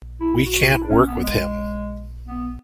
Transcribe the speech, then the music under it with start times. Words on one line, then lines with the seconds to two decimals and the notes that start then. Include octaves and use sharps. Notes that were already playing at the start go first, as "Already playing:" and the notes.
We can't work with him.
0.20 E4
0.46 F#4
0.71 E4
0.82 D4
0.89 C#4
1.07 B3
1.23 G#3
2.27 B3